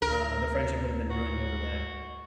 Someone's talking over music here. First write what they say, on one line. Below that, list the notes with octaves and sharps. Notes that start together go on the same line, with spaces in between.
uh, the friendship would have been ruined over that.
D2 A#4
F#4